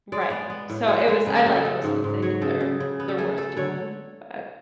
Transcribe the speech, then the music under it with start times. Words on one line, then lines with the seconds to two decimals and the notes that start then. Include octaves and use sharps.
Right. So, it was I like those things. I think they're they're worth doing. But
0.12 G#3 D5
0.21 C#5
0.30 B3 D5
0.50 B3
0.70 A2
0.88 G#3 C#5
0.99 B4
1.08 G#3 C#5
1.27 C#3 B4
1.37 A4
1.46 C#3 G#4
1.55 A4
1.65 A3
1.84 G#2
2.04 G#2
2.22 F#3 C#5
2.41 C#3 A4
2.60 C#3
2.80 C#3
3.00 B3
3.08 A4
3.18 A3 G#4
3.38 A3 A4
3.57 D3 C#5